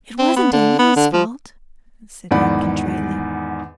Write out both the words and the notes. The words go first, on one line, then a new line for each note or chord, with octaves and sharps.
"It wasn't Diana's fault," said Anne contritely.
C4
B3
D3
B3
D3
F3
E2 G#2 D#3 D5 F#5 B5